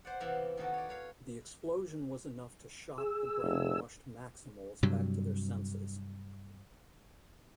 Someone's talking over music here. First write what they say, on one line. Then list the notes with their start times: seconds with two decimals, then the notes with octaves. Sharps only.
The explosion was enough to shock the brainwashed Maximals back to their senses.
0.05 C5 D5 F#5
0.20 E2 C3 E3 E4 F5 F#5
0.57 D#3 A#3 B3 F#4 A4
0.74 C#5 D5
0.89 B4 C#5 F5
2.98 G#4 E6
3.42 F1
4.83 G2 C3 F#3